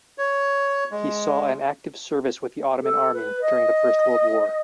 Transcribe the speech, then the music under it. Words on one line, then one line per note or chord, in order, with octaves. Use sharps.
He saw an active service with the Ottoman army during First World War.
C#5
G#3
A4
B4
D#5